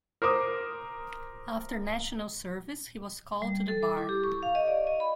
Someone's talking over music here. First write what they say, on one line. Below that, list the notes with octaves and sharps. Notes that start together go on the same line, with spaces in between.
After National Service he was called to the Bar.
A#4 C5 D6 D#6
G3
A4
D6
E4
G4
C#6
F5
D#5
D5
D#5
B5